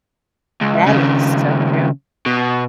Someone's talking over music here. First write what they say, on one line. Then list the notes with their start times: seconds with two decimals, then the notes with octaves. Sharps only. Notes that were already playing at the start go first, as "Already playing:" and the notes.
That is so true.
0.61 C#2
0.86 D#2 C#3
2.26 B2